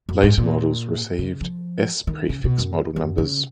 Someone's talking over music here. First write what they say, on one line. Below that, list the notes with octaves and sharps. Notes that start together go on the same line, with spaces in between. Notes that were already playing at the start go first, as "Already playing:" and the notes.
Later models received S-prefix model numbers.
F#2
G#2
A#2
C#3
F3
D#3
C#3
B2
F#2
F#2
C#3